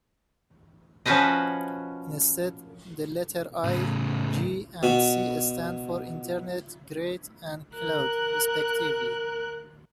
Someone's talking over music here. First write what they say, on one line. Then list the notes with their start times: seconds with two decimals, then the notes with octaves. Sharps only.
Instead, the letters "i", "g" and "c" stand for "internet", "grid" and "cloud" respectively.
1.06 F3 C#4 F#4 B4 C5 D#5
3.64 A2 C#3
4.83 B2 F#4
7.75 A#4 F#6